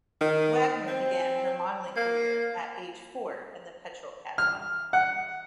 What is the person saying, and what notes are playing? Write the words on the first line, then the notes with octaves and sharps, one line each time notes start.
Wagner began her modelling career at age four in the Petrol catalog.
D#3
C4
A#3
F6
F#5